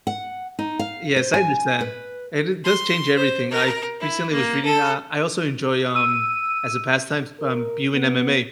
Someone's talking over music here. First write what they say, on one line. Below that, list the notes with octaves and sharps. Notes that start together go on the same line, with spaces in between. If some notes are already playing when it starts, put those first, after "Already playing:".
Yes, I understand, and it does change everything, I recently was reading uh, I also enjoy, um as a pastime, s um, viewing MMA
F#5
D#4
F5
C5
G#5
B4
C6
C5
A#4
E4
A#3
A4
E6 D#7
A#4
B3